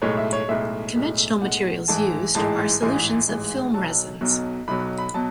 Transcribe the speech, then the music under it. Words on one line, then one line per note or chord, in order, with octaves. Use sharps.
Conventional materials used are solutions of film resins.
B1 A2 G#3 C#5
E5
C#5
B1 A2 G#3 E5
B1 A2 G#3
B1 A2 G#3 F#5
A1 G#2 E3 G#3 A5
A1 G#2 E3 G#3 A5
A1 G#2 E3 G#3 G#5
A1 G#2 E3 G#3
B1 B2 F#3 A5
B1 B2 F#3
B1 B2 F#3 B5
B5
B2 F#3 A5